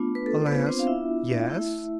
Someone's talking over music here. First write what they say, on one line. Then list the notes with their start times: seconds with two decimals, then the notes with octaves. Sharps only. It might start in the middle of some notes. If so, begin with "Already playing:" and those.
"Alas, yes."
Already playing: A3 B3 D4 F4
0.15 B4
0.26 A4
0.42 C5
0.46 B3 B4
0.66 B3 C4 D4 F4 C5
0.79 F5
0.87 E4 E5
1.48 A3 E4